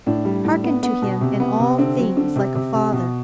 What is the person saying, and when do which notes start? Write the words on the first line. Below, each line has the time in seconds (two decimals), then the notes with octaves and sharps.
Hearken to him in all things like a father.
0.06 A2 D4
0.25 G3
0.44 A2
0.64 B3
0.83 B3
1.02 B2
1.21 C3
1.40 B3
1.60 C3
1.78 D3 C4
1.98 F#3
2.17 D3
2.36 C3
2.55 C3
2.74 C3
2.93 B2